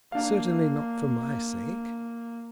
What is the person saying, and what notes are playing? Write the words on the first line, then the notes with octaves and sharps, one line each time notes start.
"Certainly not for my sake."
A#3 D4 F5